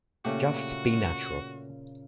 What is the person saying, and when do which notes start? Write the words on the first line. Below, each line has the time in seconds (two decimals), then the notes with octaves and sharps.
Just be natural.
0.25 A#2 C#3 A3 F#4 G4